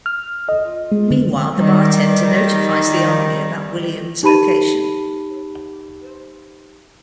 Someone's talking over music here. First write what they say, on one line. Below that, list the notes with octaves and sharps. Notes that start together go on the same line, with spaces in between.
Meanwhile, the bartender notifies the army about Williams' location.
F6
D#5
G#3
D3
D#3 G3
D#4 G4 A5 B5 D#7